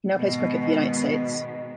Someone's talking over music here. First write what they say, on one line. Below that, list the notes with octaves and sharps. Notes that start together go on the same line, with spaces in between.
He now plays cricket for United States.
G#2 B2 D#3